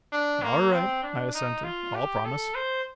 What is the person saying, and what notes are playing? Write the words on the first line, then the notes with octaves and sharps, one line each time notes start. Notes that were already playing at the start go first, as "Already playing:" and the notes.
"All right," I assented, "I'll promise."
D4
A#3
C4
D4
D#4
F4
G4
A4
C5